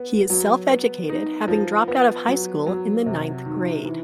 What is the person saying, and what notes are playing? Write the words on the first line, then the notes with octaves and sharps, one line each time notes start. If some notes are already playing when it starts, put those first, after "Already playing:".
He is self-educated, having dropped out of high school in the ninth grade.
Already playing: B3
F#3
B3
D#4
F3
B3
F#3
F#3
C3
D#3
E3